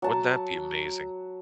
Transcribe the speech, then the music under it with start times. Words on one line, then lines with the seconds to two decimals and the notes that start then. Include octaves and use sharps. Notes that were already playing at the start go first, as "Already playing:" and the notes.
Wouldn't that be amazing?
0.02 F#3 A5